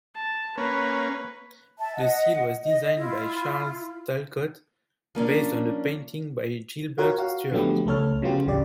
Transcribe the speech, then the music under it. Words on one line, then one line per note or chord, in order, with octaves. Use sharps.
The seal was designed by Charles Talcott, based on a painting by Gilbert Stuart.
A5
A#3 C#4 B4
E5 A5
D#5 F#5
D#5
E4 F4
F3 A#3 C#4 D4
F4 F#4 A#4 C#5 F#5
F#4 F5
D3 F3 F#3 A3 B3 G4
C#2 A3 A4 C#5 F6
C#3 F#3 B3 F4 G4
A1 D2 C#3 G4 D5